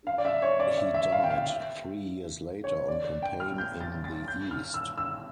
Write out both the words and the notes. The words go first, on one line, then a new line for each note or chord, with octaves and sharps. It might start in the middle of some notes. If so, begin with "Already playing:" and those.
He died three years later on campaign in the east.
F5
D5
E5
C#5
D5
E5
E5
F5
G5
F5
E5
C#5
D5
G5
F6
G6
A6
A6
G6
F6
E6
E6